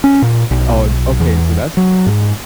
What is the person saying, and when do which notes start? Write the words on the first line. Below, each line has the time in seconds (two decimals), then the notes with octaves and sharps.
Oh, an okay, so that's
0.04 C#4
0.22 A#2
0.51 B1
1.20 E2
1.77 F#3
2.06 G#2